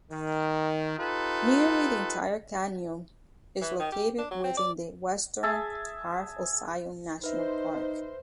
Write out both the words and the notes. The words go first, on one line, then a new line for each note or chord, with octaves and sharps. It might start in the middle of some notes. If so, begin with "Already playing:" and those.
Nearly the entire canyon is located within the western half of Zion National Park.
D#3
D#4 F4 G4 A4 B4
E3
D#3
G4
D4
F#3
C4
D5
G#4 E5 A5
D#4 B4 C5 E5